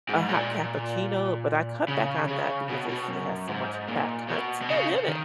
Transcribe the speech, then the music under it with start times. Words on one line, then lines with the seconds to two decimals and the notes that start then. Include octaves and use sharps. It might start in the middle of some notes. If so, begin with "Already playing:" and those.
a hot cappuccino, but I cut back on that because it's it has so much fat content in it.
0.09 G#2
0.29 A#2
1.88 C#3
2.29 C#3
2.69 B2
2.89 B2
3.08 F#2
3.48 G#2
3.88 A#2
4.28 B2
4.61 B2
4.69 C#3
5.08 D#3